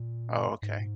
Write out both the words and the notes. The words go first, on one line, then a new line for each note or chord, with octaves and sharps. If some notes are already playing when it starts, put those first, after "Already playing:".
Oh, okay.
Already playing: A#2
G#2